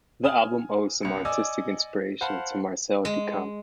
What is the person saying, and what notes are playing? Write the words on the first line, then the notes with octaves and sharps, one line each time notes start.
The album owes some artistic inspiration to Marcel Duchamp.
G#5 D#6 F6
C2 C#7
D5 D#5 G#5 D6 E6
C5 F5 F#5 A5 B5
G#3